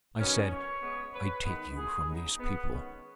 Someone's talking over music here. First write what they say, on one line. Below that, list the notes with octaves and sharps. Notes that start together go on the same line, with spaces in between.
I said, 'I take you from those people.
D#3 F#3 B3 C#4
C#5
C#3 G#3 B3
B4
D#3 G#3 B3 B4
G#4
C#3 G#3 B3 D#4
B3
D#3 G#3 B3 C#4